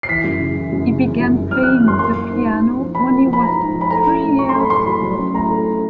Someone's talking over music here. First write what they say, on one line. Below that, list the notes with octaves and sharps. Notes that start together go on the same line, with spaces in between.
He began playing the piano when he was three years old.
C7
E3 B6
F#2
C#3
E3
F#2
C#3
E3
F#2
F#2
F#2 F6
F#6
E3
F#2 C6
A#3 C6
A#3
G#2
G#2
G#2
F3
F3 B5
A#3
F3
B5
G#2 A#5
G#2
F3
B5
A3 A#5
C#4
A2
F#3 C#6
C6
A3 B5
A2 C6
F#3 B5
F#3
C#4
A2 A#5
A3
C#4